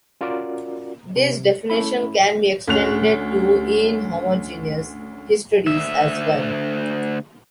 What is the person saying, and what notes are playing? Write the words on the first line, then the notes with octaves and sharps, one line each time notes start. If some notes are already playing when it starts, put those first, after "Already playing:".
This definition can be extended to inhomogeneous histories as well.
C#4 F4 F#4 A#4 D5
C3
A3 C#4 E4 B5
D2 C#4 F#6 F7
D2 E5